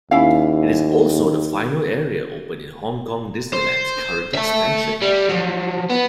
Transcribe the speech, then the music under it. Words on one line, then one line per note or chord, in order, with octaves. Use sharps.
It is also the final area opened in Hong Kong Disneyland's current expansion.
D#2 C#4 E4 F5
C5
E5 A5
G3
F3 F#3
B3